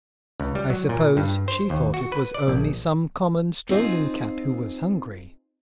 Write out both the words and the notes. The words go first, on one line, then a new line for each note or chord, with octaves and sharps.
I suppose she thought it was only some common strolling cat who was hungry.
C#2
G3
F#3
A#2
G2
C5
D#2
F#4
B4
D5
A#1
C4 D#4 F4 G#4